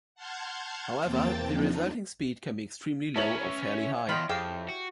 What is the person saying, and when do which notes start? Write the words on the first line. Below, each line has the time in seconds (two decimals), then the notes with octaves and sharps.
However, the resulting speed can be extremely low or fairly high.
0.15 F#5 A5 C6 F6 G6 G#6
1.04 E2 A#3 C4 G5 A5 A6
1.48 F3 D4 D#4
3.16 C#4 E4 B4 C#5 A5 A#5 F#7
4.09 E2 F4 D#5 G5 B5
4.29 F2 G4 G#4 F5 E6
4.68 F#4